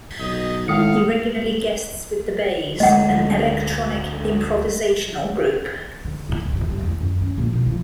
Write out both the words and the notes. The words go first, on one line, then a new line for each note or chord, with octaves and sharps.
He regularly guests with The Bays, an electronic improvisational group.
B1 D#5
A2 D#3 G#3 F5 D#6 C#7
D2 G#3 A3 D#5 F#5
D3
D1
G2
G3
E2
F#2
C#4
A#1
B2
F3